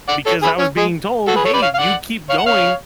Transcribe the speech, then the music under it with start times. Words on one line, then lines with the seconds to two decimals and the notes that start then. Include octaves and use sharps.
because I was being told, "Hey, you keep going.
0.09 D5 F#5
0.27 A4 C#5
0.43 G#4 B4
0.60 C#4
0.78 G#3
1.28 F#4 A4
1.36 G#4 B4
1.45 A4 C#5
1.54 B4 D5
1.62 C#5 F5
1.74 F5
1.78 D5 F#5
2.30 C#5 F5
2.38 F#5
2.46 C#5 F5